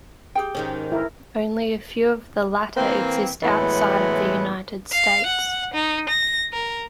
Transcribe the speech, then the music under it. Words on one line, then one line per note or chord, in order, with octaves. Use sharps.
Only a few of the latter exist outside of the United States.
G4 G#4 G5
G#2 D#3 C#4
E4 A#4
E3 A#3 C4
A2 E3 F#3 G#3 B3
F5
F#5
D#4
A#6
A#4